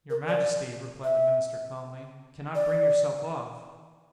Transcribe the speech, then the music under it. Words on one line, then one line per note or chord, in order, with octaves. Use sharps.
Your majesty, replied the minister calmly, cannot bring yourself off.
A#4
D5
E5
D5